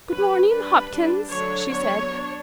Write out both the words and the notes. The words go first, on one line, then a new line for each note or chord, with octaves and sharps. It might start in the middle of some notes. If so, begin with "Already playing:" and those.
"Good morning, Hopkins," she said.
F#3 C#4 B4
G3 D4 B4
G3 D4
D3 F#3 A3 D4 C#5
F#3 B3 D4 C#5
D4